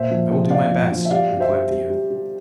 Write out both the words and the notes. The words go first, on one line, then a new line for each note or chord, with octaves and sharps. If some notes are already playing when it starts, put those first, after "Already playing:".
'I will do my best,' replied the youth.
Already playing: A#2 C5 E5
F3
F3
F3 D5 F5
F3
F3
E5
G3 D5 F5
G3
C5 E5
G3
G3
G3
G3